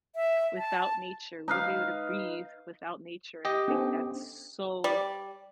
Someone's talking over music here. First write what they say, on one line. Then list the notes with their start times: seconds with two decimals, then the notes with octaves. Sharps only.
without nature, we wouldn't be able to breathe without nature and I think that's so
0.16 E5
0.58 A5
1.48 D#4 B4 F5
3.45 G4 D#5
3.68 B3 C#4 D4 A4 C5
4.84 G3 D5